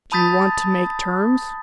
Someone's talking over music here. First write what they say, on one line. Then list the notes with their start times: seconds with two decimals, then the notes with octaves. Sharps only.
"Do you want to make terms?"
0.12 A5 B5 D#6 G6 A6 B6